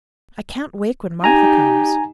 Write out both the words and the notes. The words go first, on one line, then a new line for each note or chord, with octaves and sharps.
"I can't wake when Martha comes."
D#4 G4 G#5 A#5